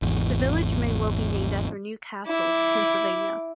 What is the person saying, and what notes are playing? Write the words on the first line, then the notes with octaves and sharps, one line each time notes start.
The village may well be named after New Castle, Pennsylvania.
G#1 E2
E4 D6